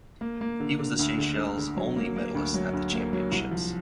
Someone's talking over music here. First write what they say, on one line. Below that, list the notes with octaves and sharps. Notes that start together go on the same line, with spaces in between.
He was the Seychelles only medallist at the championships.
A#3
A#3
D3
D3
D2
D3
D3
D3
F#3
A#3
A#3
D2
F#3
D2
A#3
F#3
C2
F3